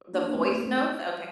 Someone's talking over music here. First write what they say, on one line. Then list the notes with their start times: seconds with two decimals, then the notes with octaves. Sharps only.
the voice notes? Okay.
0.13 A#3 D4
0.27 D4
0.35 A3 C4
0.51 A3
0.55 A#3
0.66 A3 C4